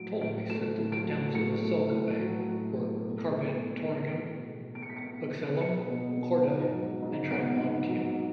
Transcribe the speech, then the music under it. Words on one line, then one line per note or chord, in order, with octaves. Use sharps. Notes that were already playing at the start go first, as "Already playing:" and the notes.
Ptolemy said that the towns of the Selgovae were "Carbantorigum", "Uxellum", "Corda", and "Trimontium".
Already playing: A2 F#3 D7
A2 D7
A3 E7
A2
D7
F#3
A2 C#7
A3
A2
F#3
A2
A3
B2
G#3
B2
B3
B2
G#3
B2 D7
C#7
B6
C#7
B3
B2
G#3 C#7
B2
B3
G#2
F#3
G#2
B3 D7
G#2
F#3